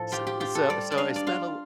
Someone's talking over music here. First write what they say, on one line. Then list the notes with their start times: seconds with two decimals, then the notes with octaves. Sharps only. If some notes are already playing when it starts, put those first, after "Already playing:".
s so so I spent a li
Already playing: A2 F3 A4
0.12 F4 G4
0.27 G4
0.40 F4 G4
0.55 A4
0.70 G3 D5
0.92 D5
0.97 D4 F5
1.16 D5
1.27 F4 F5